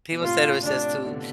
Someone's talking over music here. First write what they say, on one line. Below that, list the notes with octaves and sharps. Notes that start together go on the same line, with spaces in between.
People said it was just too
B2
A2 C3 F4
A2 C3 D4
B2 D3